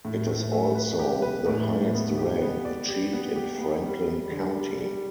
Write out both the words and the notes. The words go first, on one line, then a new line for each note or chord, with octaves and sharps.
It is also the highest rank achieved in Franklin County.
A2
A2
A3
B4
G4
B4
A2
A2
B3
G4
B3
D5
G4
B3
G4
B3
G3
G3
D3
G3
G3